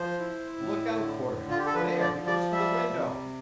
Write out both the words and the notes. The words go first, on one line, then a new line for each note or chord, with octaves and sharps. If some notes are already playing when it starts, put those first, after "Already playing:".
"Look out for him--there he goes for the window."
Already playing: F3 C5
E4
A2
D3
D3
F4
G4
A4
F3 B4
D5
F3
D5
G3 E5
C3